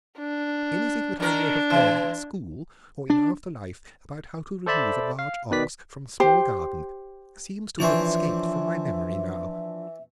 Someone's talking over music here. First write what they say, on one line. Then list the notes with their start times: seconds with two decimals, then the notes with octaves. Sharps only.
Anything that I may have learned at school or in after life about how to remove a large ox from a small garden seems to have escaped from my memory now.
0.18 D4
1.20 D#3 D4 A#4
1.70 E3
3.10 D4
4.66 A4 C5 D5 E5 A5 B5
5.19 F5
5.51 B2 D#3 B4 D5 B6
6.20 G4 C5
7.80 E3 F3 D4 C5 C#5 E5 D6